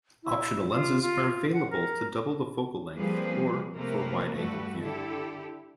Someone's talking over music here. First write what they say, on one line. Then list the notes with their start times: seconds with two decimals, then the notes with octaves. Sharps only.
Optional lenses are available to double the focal length or for wide-angle view.
0.24 E4
0.72 F4
1.02 F4
1.53 F#5
1.71 A#4
2.96 F3 G3 A#3 C4 G#4 B4
3.74 C3 A3 A#3 A#4 B4
4.34 G2 G3 A3 F#4 A4 B4
4.81 D3 E4 G4 A4